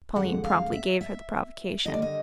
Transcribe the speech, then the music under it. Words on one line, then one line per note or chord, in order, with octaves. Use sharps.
Pauline promptly gave her the provocation.
F2 D3 F3 G#3 F#5
F5
E5
E5
D#2 D3 G3 D#5
D5
D#5